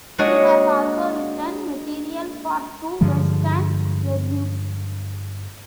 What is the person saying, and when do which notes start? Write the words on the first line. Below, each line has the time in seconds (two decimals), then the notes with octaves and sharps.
He has also written material for two West End revues.
0.18 G#3 A#3 D4 F#4 C#5 D#5
3.01 G2 D3 F3 G#3